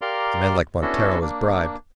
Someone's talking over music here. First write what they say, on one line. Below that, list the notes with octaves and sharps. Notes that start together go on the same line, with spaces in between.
A man like Montero is bribed.
G4 A#4 D5 F5 A#5 C6
B3 C#4 D4 E4 F#4 A4
A#3 D4